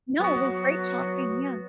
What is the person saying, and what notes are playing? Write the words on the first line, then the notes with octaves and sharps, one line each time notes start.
No, it was great talking yeah,
F#3 B3 F#4